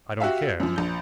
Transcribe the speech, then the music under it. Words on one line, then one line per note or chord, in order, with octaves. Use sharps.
I don't care.
F#4 G4 E5 F5
F#2 F3
A#1 G6